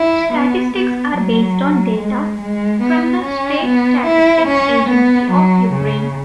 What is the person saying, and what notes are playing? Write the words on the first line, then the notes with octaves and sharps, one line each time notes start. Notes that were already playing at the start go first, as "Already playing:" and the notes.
Statistics are based on data from the State Statistics Agency of Ukraine.
Already playing: E4
B3
B3
F#3
G#3
G#3
B3
C#4
B3
E4
C#4
B3
F#3
C#3